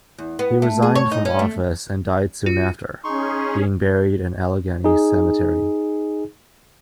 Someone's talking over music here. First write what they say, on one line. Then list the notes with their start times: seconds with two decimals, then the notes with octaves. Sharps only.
He resigned from office and died soon after, being buried in Allegheny Cemetery.
0.18 E2
0.39 B3
0.62 A3
0.82 G#4
0.95 C#5
1.11 D#4
1.25 C#4
1.39 A3
2.46 F4
3.04 C#4 D#4 G#4 C6 C#6
4.84 D#4 G#4